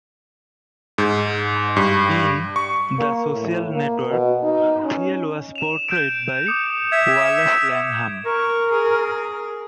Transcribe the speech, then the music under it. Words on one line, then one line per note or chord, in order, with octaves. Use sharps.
In "The Social Network", Thiel was portrayed by Wallace Langham.
G#2
G2
C#6
A#3
A2
A#3
B2
D#4
C#4
E7 F7
G6 D7
D6 D#6 C#7
E5 G#6 E7
A#4 C#6
G#4